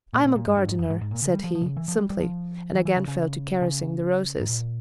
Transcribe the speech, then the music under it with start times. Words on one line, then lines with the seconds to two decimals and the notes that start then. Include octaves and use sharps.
"I am a gardener," said he, simply, and again fell to caressing the roses.
0.13 A#2
0.25 A#2
0.36 A#2
0.47 G2
0.57 G2
0.68 G#2
0.79 F2
0.90 G#2
1.01 G#2
1.11 A#2
1.22 C#3
1.34 G3
1.44 F3
1.55 F3
1.61 C3
1.66 C#3
1.77 E3
1.88 F3
1.99 G3
2.10 G3
2.20 F3
2.75 E3
2.85 E3
2.97 C#3
3.08 C#3
3.62 C#3
4.41 G#2
4.49 A#2